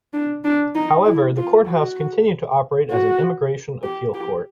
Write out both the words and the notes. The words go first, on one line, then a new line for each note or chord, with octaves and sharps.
However the courthouse continued to operate as an immigration appeal court.
D4
D4
D#4
E4
F4
F#4
F#4
G4
G4